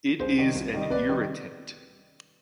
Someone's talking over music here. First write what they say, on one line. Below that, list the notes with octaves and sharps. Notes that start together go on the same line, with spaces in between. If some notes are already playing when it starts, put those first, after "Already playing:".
It is an irritant.
C2 G#4 C5
C3 D#3 G3
C2
C3 D#3 G3
D#5
C2 B4 D5
C3 D#3 G3